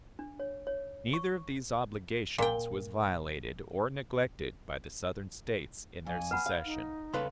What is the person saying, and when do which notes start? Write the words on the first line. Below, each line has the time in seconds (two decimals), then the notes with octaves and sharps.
Neither of these obligations was violated or neglected by the Southern States in their secession.
0.19 D4
0.40 C#5
0.67 C#5
1.14 C#6
2.38 A#2 G5
6.06 F2 G#5
6.31 B4 F#5 B5
6.46 F5
6.65 D#4
7.14 C#3 A4 B4 C6